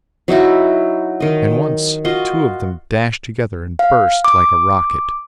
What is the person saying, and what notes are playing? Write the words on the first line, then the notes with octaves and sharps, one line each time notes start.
And once two of them dashed together and burst like a rocket.
F#3 D#4 E4 F#4
D#3 D#5
F4 F#4 D#5
F5
D6